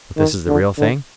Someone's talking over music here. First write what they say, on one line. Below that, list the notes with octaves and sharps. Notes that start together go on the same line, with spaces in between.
"But this is the real thing?"
D#3
D3
D3